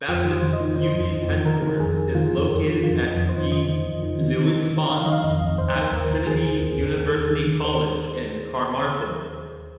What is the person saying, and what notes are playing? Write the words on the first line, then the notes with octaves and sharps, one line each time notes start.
Baptist Union headquarters is located at Y Llwyfan at Trinity University College in Carmarthen.
F2 F4
D#3
C5
D#3
D#5
D#3
D#3 C5
F2
F2
D#3
D#3 A#4
D#3
F2 G#4
D#3
D#3 F4
F2
F2
D#3
F2 F4
F2
D#5
F2
C5
D#3
D#3 D#5
D#3
F2
D#3
D#3
D#3
D#3
D#3
D#3
F5
D#3 D#5
F5
F2 D#5
F2
D#2 C5
D#3
A#4
D#2
A#4
D#2
D#3 G#4
D#3
D#2
D#2
D#2
D#3
D#3
D#3
C5